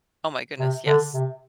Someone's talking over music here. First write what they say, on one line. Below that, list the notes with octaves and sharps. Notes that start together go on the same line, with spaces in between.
Oh my goodness, yes.
C3
D3
C3